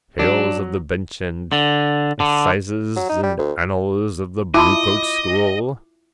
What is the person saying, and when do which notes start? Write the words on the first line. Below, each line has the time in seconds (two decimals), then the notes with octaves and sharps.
Tales of the bench and assizes and annals of the bluecoat school.
0.19 F#3 D4
1.52 D3
2.20 D3
2.97 F#3
3.09 D#4
3.23 G3
3.39 D2
4.54 E4 F4 D#5 A5 C6 D6